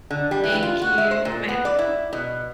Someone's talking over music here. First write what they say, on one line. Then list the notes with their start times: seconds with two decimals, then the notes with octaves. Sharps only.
Thank you. Bye bye.
0.11 D3
0.31 G3
0.43 E3
0.63 F4
0.82 F#4
0.98 E5
1.11 C5
1.25 A#2
1.49 B3
1.65 D5
1.79 E4
2.13 B2